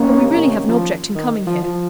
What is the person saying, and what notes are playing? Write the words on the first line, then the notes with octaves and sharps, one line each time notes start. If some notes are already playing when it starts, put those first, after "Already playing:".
But we really have an object in coming here.
Already playing: D#3 A#3 C#4
C3
F3
D#3
F3
F3